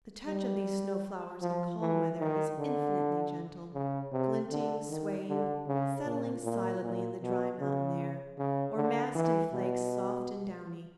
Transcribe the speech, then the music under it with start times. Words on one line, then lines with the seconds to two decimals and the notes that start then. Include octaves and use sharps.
The touch of these snow-flowers in calm weather is infinitely gentle--glinting, swaying, settling silently in the dry mountain air, or massed in flakes soft and downy.
0.27 G3
1.42 F3
1.81 E3
2.20 D#3
2.59 D3
3.74 C#3
4.13 C3
4.51 D3
4.90 D#3
5.29 D3
5.67 C#3
6.05 A#2
6.44 A#2
6.83 A#2
7.22 B2
7.60 C#3
8.38 C#3
8.76 D3
9.15 E3
9.53 B2